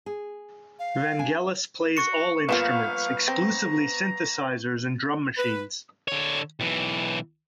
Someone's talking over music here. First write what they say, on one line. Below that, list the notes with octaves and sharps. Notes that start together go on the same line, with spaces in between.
Vangelis plays all instruments: exclusively synthesizers and drum machines.
G#4
F5
D4 G#5
F#4 C#6 C#7
G1 F3 A#3 B3 F4 F5 E7
C4 A#5
B4
D3 C#5
B1 E3